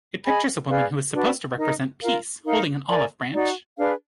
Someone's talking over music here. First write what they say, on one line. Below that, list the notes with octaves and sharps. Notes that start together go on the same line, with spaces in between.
It pictures a woman who is supposed to represent Peace holding an olive branch.
G#4 D#5 G#5 B5
G#4 B4 D5 F5
D4 F#4 B4 D5
D#4 A#4 D#5
F4 A#4 F5
D#4 A#4 F5
A#4 D5 G#5
D#4 F#4 D5
D4 G#4 B4 F5